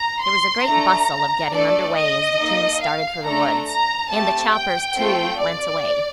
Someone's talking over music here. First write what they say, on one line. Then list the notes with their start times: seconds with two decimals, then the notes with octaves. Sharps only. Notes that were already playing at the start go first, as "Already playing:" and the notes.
There was a great bustle of getting under way as the teams started for the woods, and the choppers, too, went away.
Already playing: A#5
0.24 C6
0.66 A3 D4 A4 A#5
1.53 A3 D4 A4 D5
1.96 D#5
2.39 A#3 D#4 A4
2.82 F5
3.25 A3 D4 A4 A#5
3.68 A#5
4.11 A3 C4 G4 A5
4.54 G5
4.97 A3 C4 F4 A4
5.40 D5